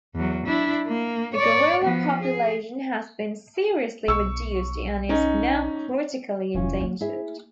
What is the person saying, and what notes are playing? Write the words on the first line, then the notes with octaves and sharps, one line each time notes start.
The gorilla population has been seriously reduced and is now critically endangered.
E2 F#3
D4 E4
A#3
C#5 D5
F3 B3
G#4
B1 C#6 E6
C#4 D#4
F1 E3 C#4 F4
A3 A#3
E4 G#4 E5